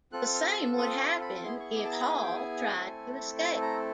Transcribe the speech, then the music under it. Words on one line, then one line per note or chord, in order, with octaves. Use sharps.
The same would happen if Hall tried to escape.
C4 F4 A4 F#6
F6
E6
D#6
D6
B5
B3 E4 G#4 C6
C#6
D6
A5
A#5
G#5
G5
G#5
A3 C4 E4 A4
A5
A#5